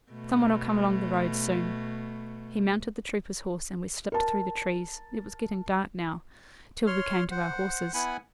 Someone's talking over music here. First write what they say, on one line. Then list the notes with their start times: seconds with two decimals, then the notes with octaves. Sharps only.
Some one'll come along the road soon.' He mounted the trooper's horse, and we slipped through the trees--it was getting dark now--till we came to our horses.
0.12 B2 A3
4.12 A#4 A5
6.87 C#5 C6 F6
7.31 C5 F#5
7.94 B3 E4 F#5 G#5 B5